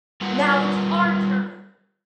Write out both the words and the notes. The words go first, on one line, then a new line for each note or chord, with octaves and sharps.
Now it's our turn!...
G3 F4 G4 A#4 B4 F#5